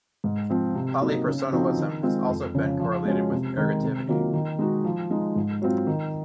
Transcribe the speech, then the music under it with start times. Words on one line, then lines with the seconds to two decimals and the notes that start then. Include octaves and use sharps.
Polypersonalism has also been correlated with ergativity.
0.24 G#2
0.50 F3 C4 F4
0.75 C3
1.01 F#3 A#3 D#4
1.26 C#3
1.52 F3 C4 D#4 F#4
1.78 D#3
2.03 G#3 C4 F4
2.29 F2
2.55 C#3 F3
2.80 F3
3.05 G#3 C#4 F#4
3.31 C3
3.57 D#3 G#3
3.83 C3
4.08 D#3 F#3 A#3 F4
4.33 D#3
4.59 G#3 D#4 F#4
4.84 F3
5.10 G#3 D#4
5.36 G#2
5.62 F#3 C4 F4
5.87 D#3